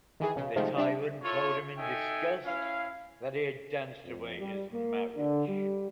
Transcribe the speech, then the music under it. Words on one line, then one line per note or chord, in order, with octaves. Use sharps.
The tyrant told him in disgust that he had danced away his marriage.
D#3 E3 G#4
B1 C#3
C3 D#3 F3 G#3 A3
G3 D4 E5
E4 F4 A4 C#5
D#4 A4 E5 G5 G#5
C#4 E4 F5
F2
G3
A#3
D3
G3